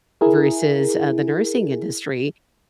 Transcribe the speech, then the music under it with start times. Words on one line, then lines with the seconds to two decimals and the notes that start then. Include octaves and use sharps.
versus, uh, the nursing industry,
0.21 E4 G#4 A#4